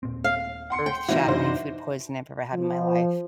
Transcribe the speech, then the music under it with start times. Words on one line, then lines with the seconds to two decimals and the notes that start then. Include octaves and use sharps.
earth shattering food poison I've ever had in my life.
0.03 D#1 A#2 C4
0.24 F5
0.70 F#5 C6 C#7
0.86 G5
1.08 C2 E3 D#4 F#4
1.28 F#2 C3 D4 F#4 C5
2.54 F3